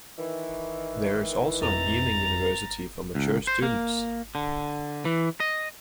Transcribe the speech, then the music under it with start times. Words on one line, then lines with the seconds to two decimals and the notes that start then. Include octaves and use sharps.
There is also an evening university for mature students.
0.18 D#3 E3
1.63 F2 A#5 A6 F7
3.15 C#2
3.47 C5
3.62 A#3
4.35 D3
5.05 E3
5.40 D#5